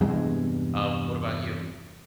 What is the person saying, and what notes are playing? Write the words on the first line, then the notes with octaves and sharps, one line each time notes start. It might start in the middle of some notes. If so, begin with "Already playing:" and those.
Um, what about you?
E2 G2 C3 G#3